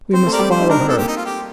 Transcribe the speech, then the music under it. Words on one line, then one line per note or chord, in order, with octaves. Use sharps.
"We must follow her."
C4 C5
A3
G4 A#4 D5
G3
C5
D#4
D4 A#4
C4
A#3 A4
G4
D#4
F4
G4